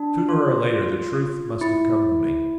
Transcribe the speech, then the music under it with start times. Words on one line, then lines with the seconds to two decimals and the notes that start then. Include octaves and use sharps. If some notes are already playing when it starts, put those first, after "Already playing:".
Sooner or later the truth must have come to me.
Already playing: D4
0.29 F4
1.61 E4